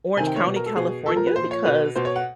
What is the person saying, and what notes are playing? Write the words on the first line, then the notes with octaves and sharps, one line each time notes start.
Orange County, California, because
C3 D#3 G#5
G5
C#5
B2
A#4
A4
B2 G#4
A#2 F3 A4
A#4
B4
A#2 F3 C5
C#5
B2 B4
B2 C5
C#5
F#5